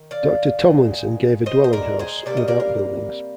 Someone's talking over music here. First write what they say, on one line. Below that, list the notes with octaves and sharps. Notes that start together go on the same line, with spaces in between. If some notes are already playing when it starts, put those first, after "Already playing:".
Doctor Thomlinson gave a dwelling house, with outbuildings.
Already playing: D#3
D5 F5
A#2 G#3
C5 D#5
C5
A#4 D5
G#4 C5
C3 G3 A#3 D5
D#5
A#4 D5
F5